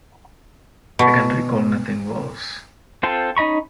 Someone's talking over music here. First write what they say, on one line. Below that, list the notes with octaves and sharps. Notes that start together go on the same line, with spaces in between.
I can recall nothing worse.
B2
C4 F4 A4 C5
C#4 D#4 D#5 B5 C#6